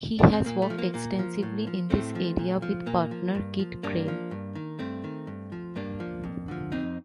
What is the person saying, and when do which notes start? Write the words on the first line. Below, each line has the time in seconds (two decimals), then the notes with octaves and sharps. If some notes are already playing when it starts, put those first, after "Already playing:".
He has worked extensively in this area with partner Kid Creme.
0.19 D4
0.33 C4
0.46 A#2 A#3
0.62 A3
0.70 F3
0.78 A#3
0.94 A#2 A#3
1.19 F3
1.43 A2
1.67 F3
1.90 A2 A3 C4
2.15 F3
2.38 A#2
2.62 F3
2.86 A#2 A#3
3.11 F3
3.35 G2
3.59 F3
3.83 G2 A#3 D4
4.08 F3
4.31 G2
4.55 D#3
4.79 G2 A3 C4
5.04 D#3
5.27 G2
5.52 F3
5.76 G2 A#3 D4
6.00 F3
6.24 F2
6.48 D3 F3
6.72 F2 C4 D#4